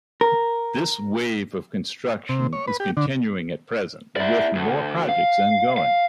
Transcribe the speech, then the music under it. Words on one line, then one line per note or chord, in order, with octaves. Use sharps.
This wave of construction is continuing at present with more projects ongoing.
A#4
C3
C#5
B4
G4
D3
E4 D5
D2
F5
F5